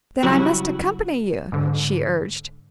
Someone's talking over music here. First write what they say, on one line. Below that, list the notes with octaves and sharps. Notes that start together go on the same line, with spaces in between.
"Then I must accompany you," she urged.
C#3 F#3 G3 E4 F#4
G#2 D3